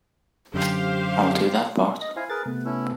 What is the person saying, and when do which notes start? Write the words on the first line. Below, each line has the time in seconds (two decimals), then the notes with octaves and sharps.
I'll do that part.
0.54 F#2 D3 G4 C5 F5
2.01 D#5
2.16 E4 C5 F5 G#5
2.30 G#4 A#4 B4 A6
2.46 C3 A3 B3 B4
2.65 C#4 E4 A4